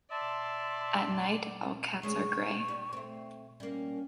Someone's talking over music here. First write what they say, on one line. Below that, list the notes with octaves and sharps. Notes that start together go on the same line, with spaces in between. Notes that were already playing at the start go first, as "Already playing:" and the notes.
At night all cats are grey.
D5 E5 A5 C6
D2 G#3 C#4 C#6
G3
A3 C4
G3 A#3 C#4